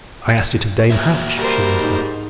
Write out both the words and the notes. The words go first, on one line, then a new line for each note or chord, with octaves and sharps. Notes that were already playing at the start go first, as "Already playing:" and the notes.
"I asked it of Dame Hatch," she answered.
A#3 F#4 E5
G3 A#4 C5
G#2 D#4